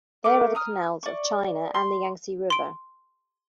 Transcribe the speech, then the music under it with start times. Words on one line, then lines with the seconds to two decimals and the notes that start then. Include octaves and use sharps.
There are the canals of China, and the Yang-tse River.
0.24 A3 A#4 D6
0.55 A#5 D#6 F6
1.03 D5 C#6
1.74 C6
2.50 C6 D7